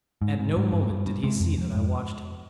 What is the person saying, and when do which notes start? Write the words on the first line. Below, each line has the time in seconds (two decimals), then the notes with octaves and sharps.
At no moment did he see that I watched him.
0.22 G#2
0.39 G#2
0.56 G#2
0.72 G2
0.89 G2
1.06 G2
1.23 C3 G#3
1.40 F2
1.58 F2
1.75 G#2